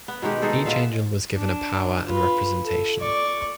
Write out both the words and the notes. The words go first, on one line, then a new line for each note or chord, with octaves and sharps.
Each angel was given a power and representation.
B3
B2 D#3 G#3 G4
G#3 D#4 G#4 A4
B2 F4 E5 F5
D4
F4 B4
A4
D5 C#6